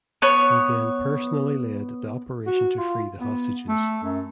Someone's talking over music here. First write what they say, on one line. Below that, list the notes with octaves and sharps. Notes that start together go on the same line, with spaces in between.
He then personally led the operation to free the hostages.
B3 C#5
F#4
F4
B3
A3
F#2